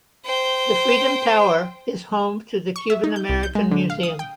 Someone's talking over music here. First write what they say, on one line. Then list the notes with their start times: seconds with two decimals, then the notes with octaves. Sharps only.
The Freedom Tower is home to the Cuban American Museum.
0.25 C5 G5
2.76 C#6
2.90 E5
3.04 D#4
3.16 G6
3.29 C2
3.43 G6
3.55 G#3
3.71 D3
3.90 F5
4.03 D#6
4.19 G5